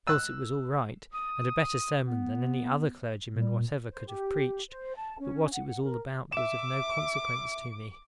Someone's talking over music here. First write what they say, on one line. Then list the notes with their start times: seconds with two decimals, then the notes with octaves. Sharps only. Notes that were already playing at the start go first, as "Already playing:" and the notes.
Of course it was all right, and a better sermon than any other clergyman whatever could have preached, but what it was all about was of no consequence to me.
0.07 E6 F#6
1.14 D#6
2.06 B3
3.35 A#2 G3
3.91 C5
4.07 G4
4.69 C5
4.95 A5
5.19 C#4
5.53 F#5
5.82 A#4
6.32 E5 D6 E7